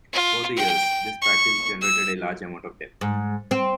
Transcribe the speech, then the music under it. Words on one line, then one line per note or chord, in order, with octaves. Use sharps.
Over the years, this practice generated a large amount of debt.
F4
G5
C#6
E6
G#2
C4